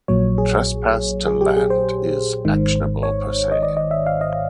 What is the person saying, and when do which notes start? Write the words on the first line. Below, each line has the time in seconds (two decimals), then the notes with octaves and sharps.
Trespass to land is "actionable per se".
0.08 A#1 A#2 F#3 C#5
0.38 G#4
1.26 G#4
1.41 G4
1.56 G#4
1.70 C5
2.45 G#1 G#2 D#3
3.03 C#5
3.52 D#5
3.63 D5
3.77 D#5
3.91 E5
4.07 F5
4.21 D#5